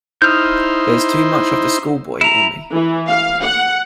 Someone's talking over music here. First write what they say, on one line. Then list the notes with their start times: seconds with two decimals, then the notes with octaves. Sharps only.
There's too much of the schoolboy in me.
0.22 D#4 E4 C5 D#6 F6 G6
2.21 E4 A#5
2.73 E3
3.08 F5
3.43 F#5